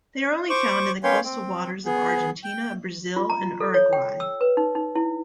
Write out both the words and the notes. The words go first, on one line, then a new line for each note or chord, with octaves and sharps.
They are only found in the coastal waters of Argentina, Brazil, and Uruguay.
C5 C#6 D6
A#3 C#4 B4 C#5 G5 C6
C4
B3 G#4
G5
F4
A#5
A4
C#5
G5
E6
B4
D#4
D#4
E4